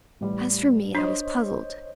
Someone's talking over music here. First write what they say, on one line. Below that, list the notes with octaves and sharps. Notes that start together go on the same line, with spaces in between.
As for me, I was puzzled.
A1 G3
D4 C5 C#5 D#5 C6 G6 B6